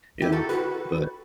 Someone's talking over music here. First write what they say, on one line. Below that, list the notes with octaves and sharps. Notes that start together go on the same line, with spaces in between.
you know, but
E4 G4
F#4 A4
F#4 B4